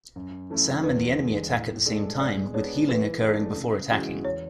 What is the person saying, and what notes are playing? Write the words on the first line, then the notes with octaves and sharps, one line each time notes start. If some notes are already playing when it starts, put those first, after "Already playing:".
Sam and the enemy attack at the same time, with healing occurring before attacking.
F#2
E3 A3 C#4 E4
E2 B4
D3 G#3
A2
G#3 D4 A4
G#3 D5
B3 D4 G#4 C#5
E3 B4
A3 D4 G#4
C#3
E3 G#3 C#4 F#4
E2 C#5